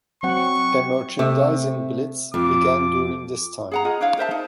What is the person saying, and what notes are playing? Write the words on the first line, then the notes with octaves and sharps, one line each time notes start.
A merchandising blitz began during this time.
F#3 C4 F#5 C#6
C3 A3
F2 D6
G#4 F#5 A#5
F4 G#4 D#5 F#5
D4 E4 C#5 F5
A#4 C5 E5 A5
D#4